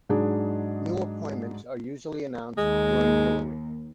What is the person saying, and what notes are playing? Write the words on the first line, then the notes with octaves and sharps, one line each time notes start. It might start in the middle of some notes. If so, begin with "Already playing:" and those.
New appointments are usually announced during Hilary.
G#2 F#3 G#3 D4 D#4 G#4
D#2 G#3